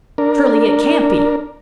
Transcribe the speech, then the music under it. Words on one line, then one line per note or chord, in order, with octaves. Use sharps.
Surely it can't be?
D4 A#4